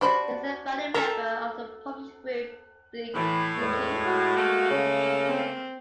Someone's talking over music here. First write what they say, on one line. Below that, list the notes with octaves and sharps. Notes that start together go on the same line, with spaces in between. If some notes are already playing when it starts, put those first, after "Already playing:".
He is the founding member of the publishing group Bleak Beauty.
G3 D4 F#4 C5 B5
A4 A#4 E5 A#5
A2 E3
E2 G#3
F#4
A3 A#3
C#3
C4